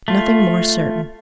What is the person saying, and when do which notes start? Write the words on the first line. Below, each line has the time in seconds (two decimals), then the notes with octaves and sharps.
Nothing more certain.
0.08 A3 F4